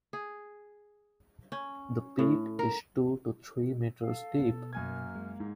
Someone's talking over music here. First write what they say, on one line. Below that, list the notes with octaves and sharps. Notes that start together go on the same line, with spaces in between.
The peat is two to three metres deep.
G#4
C#4
A2
A#4
A4 F5
B2 B3
F#2 A#3 G#5 F6 G#6
G#3
G#2